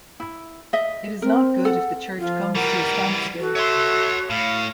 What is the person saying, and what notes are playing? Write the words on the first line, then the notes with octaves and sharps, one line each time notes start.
It is not good if the Church comes to a standstill.
E4
D#5 E5
C4 A#4
A4 F#5
F3 F4
E3 G3 A#4 F#5
F#4 A4
C#5 E5 C6
A2 F5